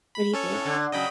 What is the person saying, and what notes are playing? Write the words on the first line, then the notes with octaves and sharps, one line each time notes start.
What do you think?
B5
C#4 A4 C#5
A2
D3
C#3 F#3 D#5 G5 B5